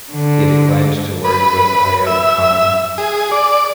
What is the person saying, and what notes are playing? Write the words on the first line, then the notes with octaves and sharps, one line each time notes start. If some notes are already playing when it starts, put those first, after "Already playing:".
He declined to work with Ayub Khan.
D3
B4
E5
G#4
D5